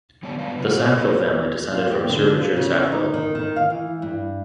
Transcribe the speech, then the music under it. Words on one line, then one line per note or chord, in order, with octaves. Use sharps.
The Sackville family descended from Sir Richard Sackville.
D3 G3 B3 C#5 D5 A5
B3 D4 F4 B4 F5
G2 C#3 F#3 D#4 F#4
A#2
A3 A#3 C#4 D#4 F#4
F4
G4
D3
F3
C#3
D#4
D#3
D#3
F5
E3
G2